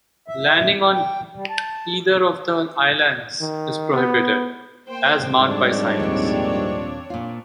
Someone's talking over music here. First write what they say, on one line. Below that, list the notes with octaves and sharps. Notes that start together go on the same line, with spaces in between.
Landing on either of the islands is prohibited, as marked by signs.
E5
G5
G3
A5
D#3
B3
A#3 C5 G5
F2 G#2 D#3 G3 C4 D4 C#5
D#2 A#2
A#2 F4